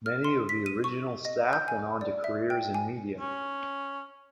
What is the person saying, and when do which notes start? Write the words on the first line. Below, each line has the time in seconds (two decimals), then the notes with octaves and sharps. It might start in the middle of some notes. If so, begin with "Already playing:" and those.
Many of the original staff went on to careers in media.
0.06 F6
0.24 C6
0.49 B6
0.66 D#7
0.84 C#6
1.25 D#5
1.53 G6
1.68 G#5
2.01 D5
2.24 E5
2.50 G5
2.75 G#5
3.20 C#4